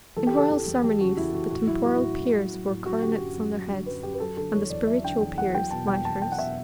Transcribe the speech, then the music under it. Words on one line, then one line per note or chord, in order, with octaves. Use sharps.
In royal ceremonies the temporal peers wore coronets on their heads, and the spiritual peers, mitres.
E3 A4
G4
C#3 A4
E2
E2
E3 G4
C#3 F#4
E2 E4
E2 F#4
A2 F#4
F#3 E4
F#3 F#4
E4
A2
A2
F#3
F#3
A2
F#3 F#4
D3 G4
F#2
F#2
F#3
D3
F#2 B4
F#2 G4
B4
F#3 A4
D3 A4
E2 C#5
E2 D5
F#3 E5
D3 G5
E2 G5
E2 F#5
F#3 G5
B2 A5
E2 G5
E2 A5
F#3 G5
F#5
B2 E5